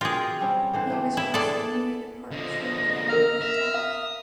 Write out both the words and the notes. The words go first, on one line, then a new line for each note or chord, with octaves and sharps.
He was arrested near the park shortly after the attack.
B2 F4 G4 G#4 A#4
G3 C4 C#4
D3 E3 C5
C#3 A3 G4
E4
D4 G#4 A4 D5
D3 F3 D#5
A#4 F5 A#5 F6
E5
F5 D#6